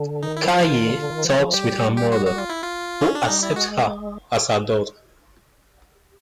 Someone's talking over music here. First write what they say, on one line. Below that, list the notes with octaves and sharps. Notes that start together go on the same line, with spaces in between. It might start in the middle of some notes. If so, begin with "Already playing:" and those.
Kaye talks with her mother, who accepts her as her daughter.
Already playing: D3
D#3 D#4
E4
F3
F4
D#3
D3
D#3
F3
F3
G3 G4
G4
F#4
F#4
F4
E4
F4
C#4
D4
G3 D#4
E4
G#3
F#4